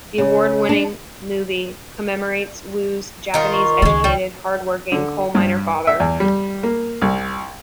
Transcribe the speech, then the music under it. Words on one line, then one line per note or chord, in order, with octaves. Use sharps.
The award-winning movie commemorates Wu's Japanese-educated, hard-working coal-miner father.
C#3
D4
D#3 F4 A#4
C#6
C#2 D#3 G3 G#3
G3
D3
G2
E5
E2
G3
A#3
C2